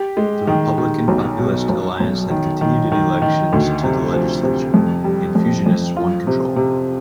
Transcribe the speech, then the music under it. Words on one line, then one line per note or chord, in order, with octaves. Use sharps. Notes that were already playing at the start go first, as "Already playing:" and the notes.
The Republican-Populist alliance had continued in elections to the legislature, and fusionists won control.
Already playing: G4
G#3
D#3
D#3
B1
B2
B1
B1
D#3
D#3
D#3
D#3
D2
C3
F3
C3
F2
G3
F2
F2
F4
C3
C3